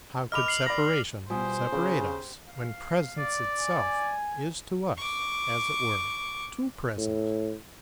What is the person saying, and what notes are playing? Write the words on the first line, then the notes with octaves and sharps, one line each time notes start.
How could separation separate us, when presence itself is to us, as it were, too present?
D#5 B5 D6 F6 F7
F6 C7 F#7
D5 B5 A#6
B2 G3 F4 C5 G#5 D#6
C#3 G4
F5
D5
G#5
C#6 D6
A2